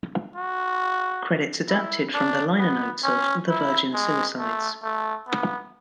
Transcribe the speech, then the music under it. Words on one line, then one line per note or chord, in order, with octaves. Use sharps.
Credits adapted from the liner notes of "The Virgin Suicides".
F#4
E4
D4
B3
C#4
E4
G#3
A3
A3
B3